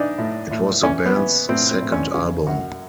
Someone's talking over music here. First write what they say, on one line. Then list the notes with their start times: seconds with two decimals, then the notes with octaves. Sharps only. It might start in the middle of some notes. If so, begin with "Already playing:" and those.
It was the band's second album.
Already playing: E3 D4 D#4
0.18 A2
0.51 A2
0.83 E3 C#4
1.05 B3
1.16 E3
1.49 A2 C4
1.71 C4
1.82 A2
1.92 C#4
2.14 C#3
2.47 F#2 F#4